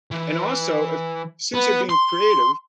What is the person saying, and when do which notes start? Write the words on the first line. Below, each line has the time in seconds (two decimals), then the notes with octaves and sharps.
and also if since you're being creative,
0.11 E3
1.54 B3
1.89 C6